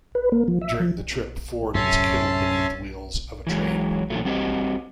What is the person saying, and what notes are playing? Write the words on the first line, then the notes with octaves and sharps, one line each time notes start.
During the trip, Ford was killed beneath the wheels of a train.
B4
A#3
F3
E5
F3
F#2 A2 C3 C#4 E5 A5 C6
E3 F#3 G#3
A#2 D3 D#3 F3 F#3 A3
G3 C4 D#4 F#4 G4 D#5